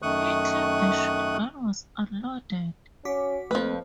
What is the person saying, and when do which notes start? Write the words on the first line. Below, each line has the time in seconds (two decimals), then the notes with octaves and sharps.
He claimed the shotgun was unloaded.
0.02 F#2 D#3 A3 C#6 D#6 F#6
3.05 C#4 F#4 D6 B6
3.51 F2 F3 A3 A#3 C4 B4